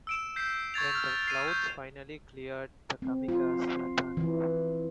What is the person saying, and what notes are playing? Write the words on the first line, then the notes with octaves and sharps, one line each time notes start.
When the clouds finally cleared, the kamikaze returned.
E6 D7 E7
G6 B6 C7
C#6 G#6 A6 F7
F6
C7 D#7
G6
C4
F4
E3